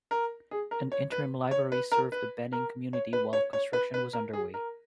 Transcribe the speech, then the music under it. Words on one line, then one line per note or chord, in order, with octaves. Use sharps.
An interim library served the Benning community while construction was underway.
A#4
G#4
A#4
C#5
B4
C#5
B4
A#4
B4
A#4
C#5
B4
C#5
C#5
B4
B4
A#4
G#4
A#4